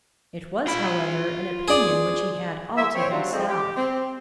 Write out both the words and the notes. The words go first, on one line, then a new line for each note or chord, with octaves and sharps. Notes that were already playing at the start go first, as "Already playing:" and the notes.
It was, however, an opinion which he had all to himself.
F4 B5
G#4 D5
G#3 E4 E5
C4 C#5
F#3 G3 C4 D4 F4
F3 G#3 A3 C4 F4
G4
C4